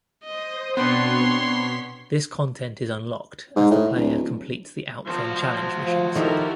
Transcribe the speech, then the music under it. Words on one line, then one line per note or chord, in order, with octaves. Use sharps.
This content is unlocked as the player completes the OutRun Challenge missions.
C5 D#5 D#6
B2 B3 C4 D4 C#5 C6 C7
B6
G#2
A2
D1
F3 F#4 C5
F3
D#3 F3 D#4 E4 G4 A4 A#4